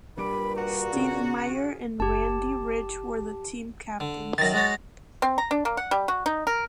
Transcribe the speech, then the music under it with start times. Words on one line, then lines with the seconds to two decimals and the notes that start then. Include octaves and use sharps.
Steve Myer and Randy Rich were the team captains.
0.18 G2 A#2 G3 B5 D6 D7
0.56 F#4 A#5
0.92 C#3
1.52 G#4
2.00 F#1 G4 A5
4.00 D3
4.38 F#2 D#3 A6 A#6
4.54 G#3 F#4 C#5
5.22 C4
5.38 A#5
5.51 D4
5.65 A#3
5.77 F#5
5.91 G3
6.08 F#4
6.26 D#4
6.47 A#4